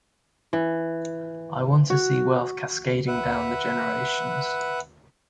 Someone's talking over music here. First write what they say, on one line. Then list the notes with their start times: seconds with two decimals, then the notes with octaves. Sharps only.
I want to see wealth cascading down the generations.
0.53 E3
1.90 F#4
3.08 B4 E5 F#5